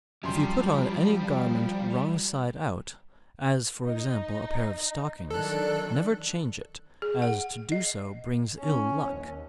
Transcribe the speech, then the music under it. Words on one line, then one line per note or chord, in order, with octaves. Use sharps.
If you put on any garment wrong side out, as, for example, a pair of stockings, never change it, as to do so brings ill luck.
F#2 F3 G3 C6
D#4
D#3 F#3 D4 A4 F#6
G#4
F#5
D#5
C#4
D#2